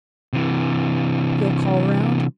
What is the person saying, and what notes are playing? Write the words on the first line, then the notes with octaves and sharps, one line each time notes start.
"You'll call round?"
C3 E3